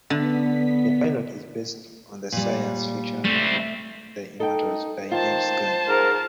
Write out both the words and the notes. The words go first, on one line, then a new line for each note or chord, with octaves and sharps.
The pilot is based on the science fiction novel "The Immortals", by James Gunn.
D3 B3 B6
A#2 G3
G3 A3 C4
D#4 A4 G5
D#3 F4 C5 A5
G#2 A#4